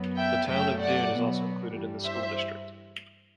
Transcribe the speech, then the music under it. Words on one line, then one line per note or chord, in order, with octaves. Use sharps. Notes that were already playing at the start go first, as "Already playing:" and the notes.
The town of Doon is also included in this school district.
Already playing: F#2 F#3 B3
E5 G5
F#2 F#3 A3 E5 G5
D5 F#5
B2 F#3 B3
G2 E3 G3
C5 E5